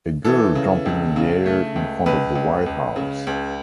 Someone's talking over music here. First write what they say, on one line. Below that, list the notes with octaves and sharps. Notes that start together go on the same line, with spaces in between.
A girl jumping in the air in front of the White House.
E3 A4
C#3
C#2
C#3
A3
C#2
C#2 B4
C#2
C#2
C#3
C#2